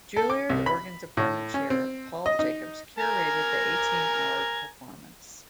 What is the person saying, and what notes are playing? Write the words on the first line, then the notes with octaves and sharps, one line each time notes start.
Juilliard Organ Department Chair, Paul Jacobs, curated the eighteen-hour performance.
A4
D6
C2
B5
A2
C#4
C4
D#5
D#4
A#4 G#5 A#5